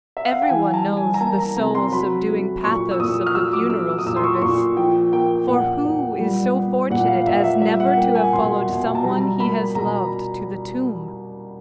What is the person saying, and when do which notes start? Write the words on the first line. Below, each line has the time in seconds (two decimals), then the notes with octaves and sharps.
Every one knows the soul-subduing pathos of the funeral service, for who is so fortunate as never to have followed some one he has loved to the tomb?
0.17 E5
0.25 F5
0.33 F#5
0.42 G5
0.49 E3 G#5
0.74 A5
0.86 G3
0.97 G#5
1.14 A#5
1.21 A#3 A5
1.39 A#5
1.56 C3 A#5
1.75 C6
1.92 F#3 B5
2.29 A3
2.64 A#2 C#6
2.91 E6
3.00 A#2 D#6
3.27 F6
3.35 F#3 E6
3.53 D6
3.70 A3 E6
3.89 E6
3.98 D#6
4.06 A#2 E6
4.16 C6
4.24 C#6
4.41 A#2 C#6
4.77 F3 G5
5.13 A#3 G5
5.48 A#2 F#5
5.85 A#2
6.20 G3
6.55 B3
6.90 A#2 F#5
7.08 F5
7.26 A#2 E5
7.44 E5
7.62 G3 E5
7.80 F#5
7.97 A#3 G5
8.15 G#5
8.33 B2 C6
8.68 B2
8.95 A5
9.04 G3 A#5
9.40 A#3 B5
9.75 B2 A#5